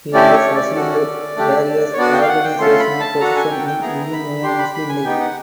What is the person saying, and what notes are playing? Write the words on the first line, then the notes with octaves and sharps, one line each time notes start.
He has assumed various organisational positions in Indian Union Muslim League.
A3 C#4 E4 G4 D5
C#5
D5
C#4 F#4 A4
A3 D4 G4
C#5
B3 D4 F#4 D5
G5
F5
F#5
G5
A3 C#4 F4 A4 C6
B5
A5
D4 F#4 A4 A#5
G#5
G5
G5
B3 E4 G#4 A#5
B5
D4 G4 C6
B5
B5
G#5
B3 D#4 G4 G5
F#5